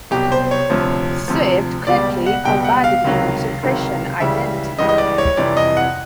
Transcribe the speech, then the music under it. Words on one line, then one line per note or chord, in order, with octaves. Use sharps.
Swift quickly converted him to Christian Identity.
C2 B2 F#3 G4
C5
C#5
D2 C3 F3
D2 C3 F3
C#2 B2 G3 D5
F#5
C#2 B2 G3 G5
F#5
F5
C#2 C3 D#3 F#3
C#2 C3 D#3 F#3
C#2 C#3 E3 G3 E5
C#2 C#3 E3 G3 D#5
D#5
D5
C#5
F2 C3 E3 G3 D5
D#5
F#5